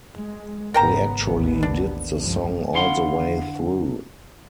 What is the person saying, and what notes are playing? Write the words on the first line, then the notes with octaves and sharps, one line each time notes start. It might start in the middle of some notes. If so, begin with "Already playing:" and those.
We actually did the song all the way through.
G#3
G#1 C#3 B3 A#4 G5 A#5
A1 D#2 B3
D4
C#2 G2 F3
D3 E4 F5 F#5 C6